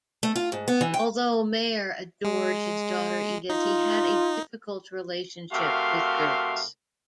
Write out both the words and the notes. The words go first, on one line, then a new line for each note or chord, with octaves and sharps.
Although Mayer adored his daughter Edith, he had a difficult relationship with Goetz.
A3
F4
G#2
B3
E3
G5
G#3
D#4 F4
C3 A3 F#4 A#4 F5 C6